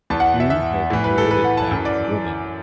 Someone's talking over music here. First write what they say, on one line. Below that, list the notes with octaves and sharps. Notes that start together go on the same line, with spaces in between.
"You have murdered that woman."
E2 E3 A5
F#5
E5
E5
A2 E3
B4
A4
B4
F#5
A5
F#2 E3
D5